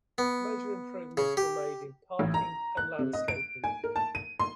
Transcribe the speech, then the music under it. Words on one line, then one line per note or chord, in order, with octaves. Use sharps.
Major improvements were made in parking and landscaping.
B3
C#3
G4
A1
A#5
F#6
C3
D#5
D7
G#5
A#4
A5
D#7
C6